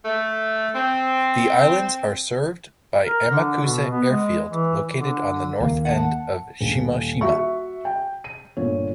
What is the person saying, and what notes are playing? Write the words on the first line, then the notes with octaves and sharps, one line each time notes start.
The islands are served by Amakusa Airfield, located on the north end of Shimoshima.
A3
C4
A#4
D3
B2
B3
G#3
E3
D3
D#2 A#3
F#5 A5
D#1
F#4 E5 C#6
G5
D#7
G1 A#2 C#5